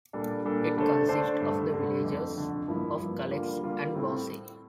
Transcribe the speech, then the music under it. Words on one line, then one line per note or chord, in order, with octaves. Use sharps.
It consists of the villages of Collex and Bossy.
A#2 G3 A#3 D4 A4
A#2 G3 A#3 D4 A4
D3 A3 D4 A4 C5
D3 A3 D4 A4 C5
G2 D3 A3
G2 D3 A3
F2 D3 A3
F2 D3 A3
G2 F3 A#3 E4
G2 F3 A#3 E4
D3 G3 A#3 F4 A#4
D3 G3 A#3 F4 A#4
A2 G3 C4 E4 A4